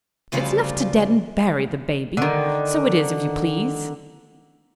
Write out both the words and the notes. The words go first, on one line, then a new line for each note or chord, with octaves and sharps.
"It's enough to dead and bury the Baby, so it is if you please."
D2 C#3 F3 G3 F4 D5
D3 D#3